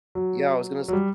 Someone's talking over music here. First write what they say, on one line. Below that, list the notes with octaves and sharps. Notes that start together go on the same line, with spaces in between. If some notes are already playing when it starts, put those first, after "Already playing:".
Yeah. I was gonna s
F#3
F#3
G3